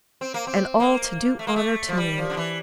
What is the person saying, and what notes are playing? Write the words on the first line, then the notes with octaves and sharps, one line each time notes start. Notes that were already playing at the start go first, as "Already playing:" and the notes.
And all to do honour to me!'
C4
A#3
C4
A#3
A3
A#3
A3
F3
G3
F3
D3
E3